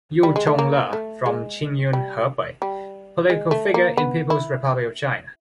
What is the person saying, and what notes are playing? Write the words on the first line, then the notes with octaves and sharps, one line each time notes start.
Yu Chongle, from Qingyun, Hebei, political figure in People’s Republic of China.
G3
G#3
A3
A#3
A3
G#3
G3
G3
G#3
A3
A#3
B3
E4